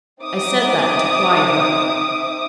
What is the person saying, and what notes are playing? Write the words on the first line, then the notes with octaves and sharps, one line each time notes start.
I said that to quiet her.'
C4 D#4 E5 D6 D#6